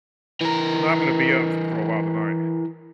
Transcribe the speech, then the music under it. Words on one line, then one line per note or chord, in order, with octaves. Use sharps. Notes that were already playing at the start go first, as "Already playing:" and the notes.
so now I'm gonna be up f for a while tonight
E3 A#4